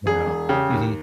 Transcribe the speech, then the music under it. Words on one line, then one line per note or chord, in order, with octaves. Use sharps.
Yeah. Mhm.
E1 G#4
E1
C#3 G4
D#2